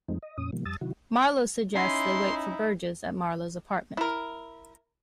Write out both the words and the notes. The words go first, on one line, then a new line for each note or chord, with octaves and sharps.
Marlow suggests they wait for Burgess at Marlow's apartment.
F2 F3 G#3 A3 C4 D#4
D#5
F2 A#2 C#4 D#6
B2 D#3 F3 G3 A#3
F2 G3 A5 D#6 E6 A6
C3 D#3 F#3 E4 F#4
C#4 D#4 E4 C6
E4 A#4